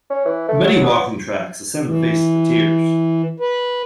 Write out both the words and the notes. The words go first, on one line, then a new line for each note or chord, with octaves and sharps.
Many walking tracks ascend the face of the Tiers.
C#4
E3
A3
F#3
B3
E3
B4